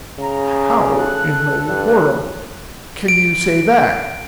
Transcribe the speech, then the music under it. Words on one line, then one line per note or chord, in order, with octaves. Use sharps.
"How in the world can you say that?"
C#3 A#5
A4 F#6
G2
D7